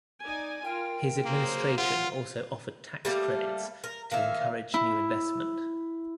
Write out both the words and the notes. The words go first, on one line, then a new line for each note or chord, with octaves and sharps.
His administration also offered tax credits to encourage new investment.
D#4 D5 G#5
F4 A#4 G5
F#3 A#3 G#4 C5
F4 F#5
G3 A3 A#3
A#4
D#3 A#3 E5 F5
E4